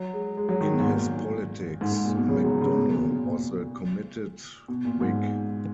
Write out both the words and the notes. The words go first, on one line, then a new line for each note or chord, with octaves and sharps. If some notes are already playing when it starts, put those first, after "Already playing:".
In his politics McDonnell was a committed Whig.
Already playing: F#3
G#3
G#3
F#3
D#3
B2
G#2
A#2
G#2
G#2
A#2
B2
C#3
F#3
C#3
B2
A#2
A#2
B2
A#2
G#2